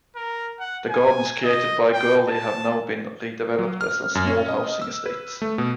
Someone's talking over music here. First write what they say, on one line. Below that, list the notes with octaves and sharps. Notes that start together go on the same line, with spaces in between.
The gardens created by Gourley have now been redeveloped as a small housing estate.
A#4
F#5
G#5
D#5
G5
A5
F#3
F6
F#2
C#4
D#5
E6
B4
A3
B2